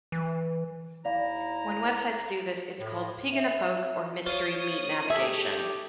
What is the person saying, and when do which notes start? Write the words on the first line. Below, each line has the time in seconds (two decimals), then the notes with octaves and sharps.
When websites do this, it's called pig in a poke or mystery meat navigation.
0.12 E3
1.05 D#2 E4 D5 F5 A#5
2.80 A2
3.32 E5
4.26 F4 C5 C#5 D#6
5.10 A3 G4 G#4 E5